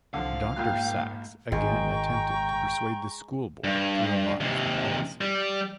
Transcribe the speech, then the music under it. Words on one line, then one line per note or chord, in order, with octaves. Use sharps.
Doctor Saxe again attempted to persuade the School Board to revise the policy.
C2 D3 F3 F5
A#1 G#2 A#3 F4 G5 F#6
G#1 G#3 G5 A#5 C#6
G2
D#2 C3
G3